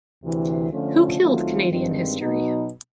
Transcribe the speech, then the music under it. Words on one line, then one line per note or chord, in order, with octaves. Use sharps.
Who Killed Canadian History?
D2 C3 E3
D3 F3 A3 C#4 F4
D#3 F#3 A3 C4 F4
G2 D#3 G#3 C4
B2 F#3 B3 D#4